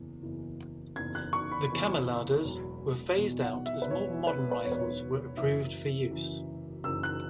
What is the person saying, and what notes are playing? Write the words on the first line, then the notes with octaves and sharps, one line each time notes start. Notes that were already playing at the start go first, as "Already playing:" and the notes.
The "kammerladers" were phased out as more modern rifles were approved for use.
Already playing: F#1 E2 E3
F#1 E2 E3
F#1 E2 E3 G#6
F#6
C#6
B5
F#1 E2 E3
E1 E2 B2 F#3
E1 E2 B2 F#3
F#5
E5
B4
E1 E2 B2 F#3 C#5
B4
B4
E1 E2 B2 F#3 C#5
B4
C#5
F#1 F#2 E3 E5
F#1 F#2 E3
F#1 F#2 E3 E6
F#6